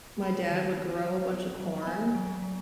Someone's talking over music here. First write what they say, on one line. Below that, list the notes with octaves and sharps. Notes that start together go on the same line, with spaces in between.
my dad would grow a bunch of corn,
B3 B5
D#3
B3
F#3
B3
F#3
B5
B3 G#5
F#3
F#3